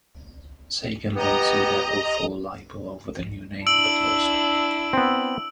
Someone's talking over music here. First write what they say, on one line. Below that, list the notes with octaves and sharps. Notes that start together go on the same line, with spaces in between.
Sagan then sued Apple for libel over the new name, but lost.
B3 G4 D#5 A#5
D4 E4 E6 D7 F#7
B3 C4